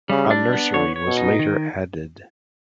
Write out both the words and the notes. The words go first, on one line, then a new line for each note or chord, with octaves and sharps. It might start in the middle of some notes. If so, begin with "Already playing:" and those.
A nursery was later added.
C#3 G3
D4
B3
D3 C#5
C#5
B2
D#4
D#3